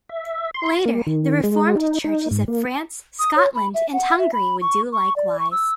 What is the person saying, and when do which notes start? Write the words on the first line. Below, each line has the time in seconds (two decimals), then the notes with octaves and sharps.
Later, the Reformed churches of France, Scotland, and Hungary would do likewise.
0.09 E5
0.54 C6
0.86 A#3
1.07 D#3
1.44 G#3
1.76 D#4
2.04 D#4
2.31 G#2
2.48 A#3
3.19 D#6
3.36 C#5
3.55 B5
3.74 E5
3.93 F#5
4.19 E5
4.33 B5
4.62 C#6
4.93 C#6
5.16 D5
5.39 C#6
5.52 E6